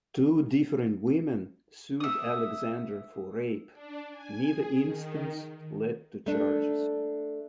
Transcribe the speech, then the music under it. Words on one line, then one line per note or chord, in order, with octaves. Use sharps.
Two different women sued Alexander for rape, neither instance led to charges.
E5 D#6
D4
G#5
G#4
D#3
A3 D4